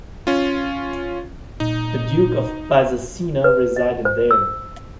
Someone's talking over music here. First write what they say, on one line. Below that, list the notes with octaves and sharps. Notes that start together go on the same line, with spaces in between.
The Duke of Byzacena resided there.
C#4 F4
A#2 D#4
B4
D#5
C5
E6